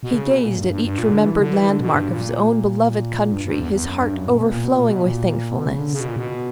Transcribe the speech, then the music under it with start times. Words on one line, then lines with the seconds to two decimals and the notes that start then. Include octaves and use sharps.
He gazed at each remembered landmark of his own beloved country, his heart overflowing with thankfulness.
0.03 B2
0.12 D3
0.16 C#3
0.30 B2
0.43 A#2
0.57 G2
0.71 G2
0.84 G2
0.98 A#2
1.12 D3
1.26 E3
1.40 D3
1.53 E3
1.68 D3
1.81 B2
1.94 G2
2.09 A#2
3.32 G2
3.45 G2
3.59 E2
3.73 E2
3.86 F#2
4.01 G2
4.15 F#2
4.28 A#2
4.40 B2
4.53 A#2
4.65 B2
4.77 A#2
4.89 B2
5.02 A#2
5.51 B2
5.65 C#3
5.79 D3
5.93 C#3
6.00 B2
6.09 A#2
6.16 B2